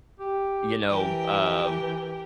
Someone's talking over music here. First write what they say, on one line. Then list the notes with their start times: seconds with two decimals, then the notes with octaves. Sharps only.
you know, uh
0.20 G4
0.89 E3 G4 A#4 G5